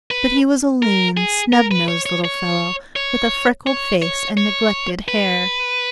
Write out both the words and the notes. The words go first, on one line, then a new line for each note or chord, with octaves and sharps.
But he was a lean, snub-nosed little fellow, with a freckled face and neglected hair.
B4
A#4
G#4
A#4
B4
C#5
C#5
C#5
C#5
C#5
C#5
C#5
B4